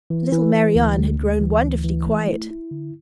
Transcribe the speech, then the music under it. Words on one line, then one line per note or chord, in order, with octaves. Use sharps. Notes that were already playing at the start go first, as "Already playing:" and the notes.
Little Marianne had grown wonderfully quiet.
E3
E3
E3
D2
D2
D2
E3
D2
E3
A3
E4
E4
D3